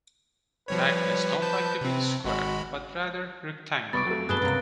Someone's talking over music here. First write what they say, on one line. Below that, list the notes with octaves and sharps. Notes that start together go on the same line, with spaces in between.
Magnets don't like to be square, but rather rectangular.
F3 G3 B4 C#5
F3 A5 G6
C3 C4
G#1 G#3 F#4 B5
C2 G3 B3 B5 C#6 D6 A6 D7
F2 F#3 A3
G2 F#3 B3 G#4 B4 A5 F#6 G7
C#2 G2 C3 F#3 A#3